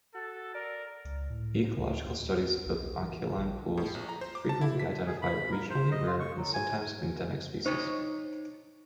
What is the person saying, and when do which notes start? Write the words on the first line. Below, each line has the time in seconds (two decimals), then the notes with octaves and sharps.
Ecological studies of anchialine pools frequently identify regionally rare and sometimes endemic species.
0.15 F#4 A4
0.55 A#4 D5
1.05 C#2
1.30 A2
1.78 D2
2.07 D#2
2.66 B1
3.01 E3
3.37 A#1
3.77 A2
3.94 A#1
4.09 A#5
4.21 C5
4.35 D6
4.49 A5
4.61 E4
4.80 B6
5.06 G#4
5.22 B5
5.52 A#4
5.70 C5
5.92 D#5
6.07 F4
6.20 C#6
6.37 F#3
6.54 G#5
7.66 D#4 C5 C#5 C#6